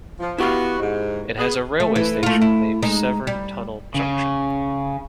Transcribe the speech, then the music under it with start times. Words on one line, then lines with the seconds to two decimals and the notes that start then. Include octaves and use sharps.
It has a railway station named Severn Tunnel Junction.
0.19 F3
0.38 B3 E4 F#4 G4 F5
0.79 G#2
1.38 B3 G#4
1.80 A3
1.96 E3
2.23 A3 F4
2.41 E4
2.83 G#3 D#4
3.27 G3
3.94 C#3